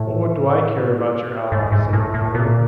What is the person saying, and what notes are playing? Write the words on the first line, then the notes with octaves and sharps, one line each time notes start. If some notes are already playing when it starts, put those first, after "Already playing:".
"But what do I care about your allies?" said Napoleon.
Already playing: A2
G#2
G#2
A2
A2
A#2